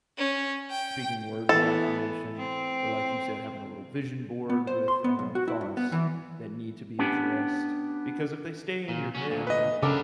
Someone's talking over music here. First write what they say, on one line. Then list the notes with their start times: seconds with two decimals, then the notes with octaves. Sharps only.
speaking words of affirmation, or like you said, having a little vision board with, um, thoughts that need to be addressed, because if they stay in your head,
0.17 C#4
0.70 G5
1.49 E3 B3 A4
2.37 C4
4.50 B3
4.67 C5
4.88 C6
5.04 B3
5.19 B1
5.35 F#4
5.48 E4
5.61 G2
5.77 B3
5.92 E3
6.99 B3 C#4 D4 G4
8.89 A#2
9.15 F#3 C#4
9.30 D2 A#2
9.47 B4 D#5
9.83 C#3 B3 D4 A4 A#4 D6